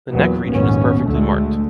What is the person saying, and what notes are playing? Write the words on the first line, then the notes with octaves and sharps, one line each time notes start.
The neck region is perfectly marked.
E2 A#2 F#3 B3
A#1 D#2 G#2 B3 C#4
D2 D3 G#3 A3